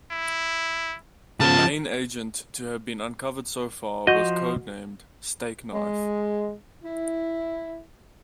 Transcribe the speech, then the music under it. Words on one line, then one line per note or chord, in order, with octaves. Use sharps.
The main agent to have been uncovered so far was codenamed "Stakeknife".
E4
C#3 F3 A5
F3 F#4 D#5 G6
G#3
E4